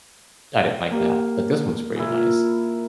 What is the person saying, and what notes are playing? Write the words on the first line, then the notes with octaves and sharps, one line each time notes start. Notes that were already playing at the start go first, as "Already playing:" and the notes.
I didn't like that. But this one was pretty nice.
A#3 G4
A#2 E4